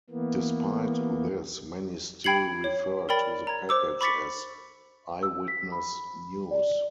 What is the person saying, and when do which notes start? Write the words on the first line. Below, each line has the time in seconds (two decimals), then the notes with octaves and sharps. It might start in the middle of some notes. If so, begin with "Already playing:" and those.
Despite this, many still refer to the package as "Eyewitness News".
0.10 E3 A#3 B3
2.24 G5 B5 G#6 C7 C#7 F#7
2.64 C#5
3.09 A#4 D5 G5 B5 A6
3.47 A#5 G#6
3.69 C5 D6 E6
4.01 B5 C#6 D6 A6 B6 C#7
5.23 E6
5.48 B6
5.72 B5
6.51 D5